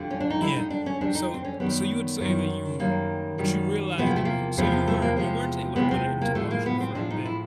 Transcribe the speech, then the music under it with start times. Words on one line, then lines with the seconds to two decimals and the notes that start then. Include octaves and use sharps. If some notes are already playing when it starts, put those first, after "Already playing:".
Yeah, so so you would say that you but you realized it be so you were you weren't able to put it into motion for a bit,
Already playing: F2 D3 G3
0.11 C#4
0.20 D4
0.30 D#4
0.41 F2 D3 G3 E4
0.56 D#4
0.70 D4
0.86 C#4
1.01 F2 D3 G3 D4
1.15 D#4
1.34 C4
1.44 C#4
1.60 F#2 D#3 G3 B3
2.20 F#2 D#3 G3
2.79 F#2 D#3 G3 A#3
3.38 F#2 D#3 G3
3.97 E2 C3 F3 G#3 B3
4.07 A#3
4.16 A3
4.25 A#3
4.57 E2 C3 F3 G#3 B3
4.72 A#3
4.88 A3
5.02 A#3
5.17 E2 C3 F3 G#3
5.76 E2 C3 F3 G#3 B3
5.91 C4
6.21 A#3
6.35 A2 F3 G#3 A3
6.51 A#3
6.66 B3
6.81 C4
6.95 A2 F3 G#3 D4
7.10 D#4
7.25 E4